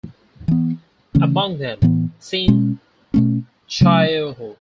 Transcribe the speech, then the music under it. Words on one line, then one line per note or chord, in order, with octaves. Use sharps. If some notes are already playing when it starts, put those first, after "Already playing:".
Among them, Sin Chaeho.
E3 B3
C#3 E3 A3 C#4
A2 E3 B3
B2 G#3 C#4
B2 A3 C#4
C#3 F#3 A3 C#4